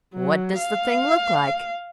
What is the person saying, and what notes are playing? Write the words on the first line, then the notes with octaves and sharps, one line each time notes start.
"What does the thing look like?"
F#3
F5